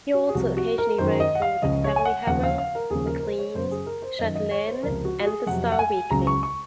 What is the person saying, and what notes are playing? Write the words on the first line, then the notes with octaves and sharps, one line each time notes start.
He also occasionally wrote for the "Family Herald", "Maclean's", "Chatelaine" and the "Star Weekly".
F#4
G#4
C2 C3 F3 F#4
F#4
A#4
F#2 D#3 F#3 C5
D#5
F#5
F5
C#2 C#3 F3 D#5
C#5
G#5
F#5
D#2 C#3 F3 F#5
F5
F5
A#4
D#2 C#3 F3 G#4
A#4
A#4
C5
C#5
F#2 C#3 F#3 C5
G#4
A#4
C5
F#2 D#3 F#3 D#5
D#5
C#5
C5
C#2 C3 F3 A#4
F#4
F#4
G#4
F2 C3 F#3 F#5
F#5
G#5
C#2 C#3 F#3 A#5
C#6
C#6